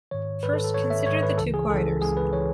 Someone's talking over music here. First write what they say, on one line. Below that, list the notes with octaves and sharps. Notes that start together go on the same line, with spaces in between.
First, consider the two quieters.
G#2 D#3 C#5
G#2 D#3 B4
A4
A4
G#2 D#3 C#5
E5
G#2 D#3 C#5
B4
C#2 C#3 E3 A4
G#4
C#2 C#3 E3 A4
C#2 C#3 E3 G#4
B4
C#3 E3 C#5